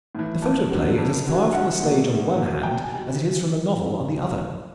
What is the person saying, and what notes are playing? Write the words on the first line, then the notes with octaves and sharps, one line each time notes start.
The photoplay is as far from the stage on the one hand as it is from the novel on the other.
A2 E3
F2
D3 F#3
F2
D3 F#3
A#1 F#5
A#2 F#3 A3
A#1
A#2 F#3 A3
E1 G5
G#5
B2 G3